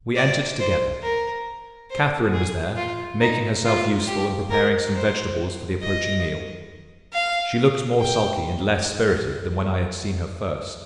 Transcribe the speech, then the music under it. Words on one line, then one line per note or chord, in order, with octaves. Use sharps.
We entered together; Catherine was there, making herself useful in preparing some vegetables for the approaching meal; she looked more sulky and less spirited than when I had seen her first.
D5
C5
A#4
C5
G#4
F4
D#4
F4
G4
A#4
C5
D#5
F5
G5